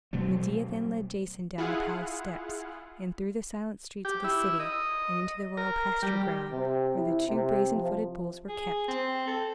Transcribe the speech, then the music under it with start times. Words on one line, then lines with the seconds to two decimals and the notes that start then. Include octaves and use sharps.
Medea then led Jason down the palace steps, and through the silent streets of the city, and into the royal pasture ground, where the two brazen-footed bulls were kept.
0.13 B2 F#3 A3 C4
1.58 E4 F4 G#4 F5 F#5
4.05 G4
4.24 E4
4.60 D#5
5.57 A#4
6.03 G3
6.52 C3
6.96 E4
7.28 C3
7.74 F3
8.49 G#4
8.88 C4
9.27 A4